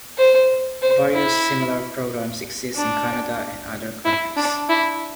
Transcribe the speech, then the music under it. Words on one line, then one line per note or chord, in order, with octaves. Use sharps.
Various, similar programs exist in Canada and other countries.
C5
C5
E4
D4
E4
D4
E4